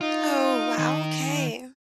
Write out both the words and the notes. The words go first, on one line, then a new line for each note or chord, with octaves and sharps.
Oh, wow, okay.
D#4 F4
D#3